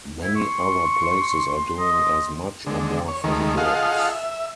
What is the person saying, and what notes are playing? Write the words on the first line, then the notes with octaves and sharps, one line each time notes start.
Many other places are doing as much or more for the birds.
E4 C5
C6 C#6
D#5
D3 G#3
C#5
D#2 D#3 G#3 A3
F4 G#4 A4 D#5 F5 F#5
E5